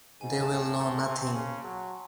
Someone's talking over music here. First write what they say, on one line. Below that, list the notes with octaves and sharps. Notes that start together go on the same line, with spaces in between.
They will know nothing.
G#2 G#5
A5
A2
A5
A2 C#6
C6
C3 C#6
C#3
F#3